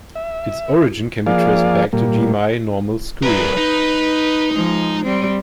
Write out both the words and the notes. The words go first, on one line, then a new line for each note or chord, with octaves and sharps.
Its origin can be traced back to Jimei Normal School.
E5
F3 A#3 G#4 D5 F5
A#2 G3 A#3
G3 A#4 B4
D#4
F3 G#3
G3 C4